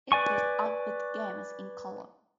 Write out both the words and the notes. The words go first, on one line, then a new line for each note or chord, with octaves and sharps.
It could output games in color.
B4 D5 G#5 C#6